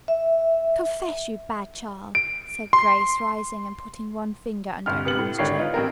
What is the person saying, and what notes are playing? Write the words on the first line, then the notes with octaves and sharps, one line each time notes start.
"Confess, you bad child," said Grace, rising and putting one finger under Anne's chin.
E5
D7
C6
G1 C3 F6
C3 B3 C#7 F#7
A2
G#1 D3 G4 C#5 D5 C7
D#4 F4 B4
A1 C4 A#4